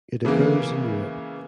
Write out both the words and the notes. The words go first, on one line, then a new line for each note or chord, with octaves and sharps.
It occurs in Europe.
C#3 E3 G#3 A#3 B3